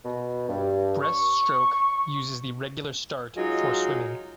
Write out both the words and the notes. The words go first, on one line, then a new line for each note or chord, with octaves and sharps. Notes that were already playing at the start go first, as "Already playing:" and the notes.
Breaststroke uses the regular start for swimming.
B2
G2
C#6
F#3 G#3 D#4 F4